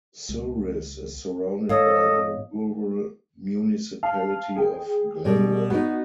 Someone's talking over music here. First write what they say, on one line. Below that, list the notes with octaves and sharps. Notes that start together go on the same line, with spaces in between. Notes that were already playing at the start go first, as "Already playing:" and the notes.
Souris is surrounded by the Rural Municipality of Glenwood.
C#2
G#2 A4 C#5 D#5 F5
F5 A5
G#4 G5
B2 G3
B3 D#4 F#4